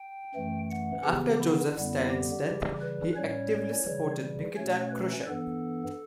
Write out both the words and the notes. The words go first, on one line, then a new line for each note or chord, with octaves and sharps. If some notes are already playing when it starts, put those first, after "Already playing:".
After Joseph Stalin's death, he actively supported Nikita Khrushchev.
Already playing: G5
F#2 E3 A3
F#5
C#3 E3 B3 G4
E4
F#2 D3 G3 B3
G4
C#3 E3 G3
B4
A2 G3 C#4 C#5
C#3 E3 G3
B2 A3 C#4 C#5
B4
G2 E3 B3 A4